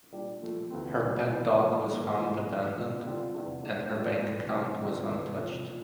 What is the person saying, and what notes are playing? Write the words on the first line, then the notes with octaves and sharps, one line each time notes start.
Her pet dog was found abandoned and her bank account was untouched.
A#2 G3 D4 G4
A#2 F3 A3
D2 C3 E3 A3 C4
D2 C3 G3
G2 E3 A#3 E4
D3 F3 A#3 D4
G2 E3 A#3
C2 A#2 A3 E4 G4
F2 E3 A3
D3 G3 D4 F4
D3 G3 C4 F4
E2 C3 E3 G3 D4
E2 E3 A3 D4
A2 F3 A3
G2 E3 A3
C3 E3 G3 D4 G4
G2 D3 F3 C4
D2 C3 E3 A3
E2 C3 F3 A3
A#2